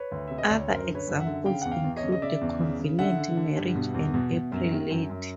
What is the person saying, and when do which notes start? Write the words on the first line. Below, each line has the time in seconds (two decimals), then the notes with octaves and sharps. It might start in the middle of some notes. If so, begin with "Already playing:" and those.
Other examples include "The Convenient Marriage" and "April Lady".
Already playing: B4 C#5
0.12 D2
0.27 C3 E5
0.38 D#5
0.49 D2 D5
0.59 C#5
0.69 F#2 A#4 C5
0.88 D3
0.95 B4 C#5
1.07 F#2
1.20 E5 F#5
1.27 D3
1.46 C#3 F5 G5
1.62 E2 F#5
1.71 F5 G5
1.84 E2
1.97 C#5 D#5
2.03 C#3
2.12 D#5
2.22 C#3 D5 E5
2.41 E2
2.61 C#3
2.80 C#3
2.99 D3 E5 F#5
3.18 D3
3.37 D3
3.56 G2
3.75 B2
3.94 E2
4.14 B2
4.33 B2
4.52 F#2
4.72 D#3
4.90 F#2
5.10 F#2